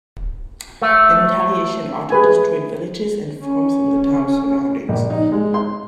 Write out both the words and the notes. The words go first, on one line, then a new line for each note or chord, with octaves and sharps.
In retaliation, Otto destroyed villages and farms in the town's surroundings.
A3
G#4 B4 G#5
C#4
A#1
D#4
G#3
C6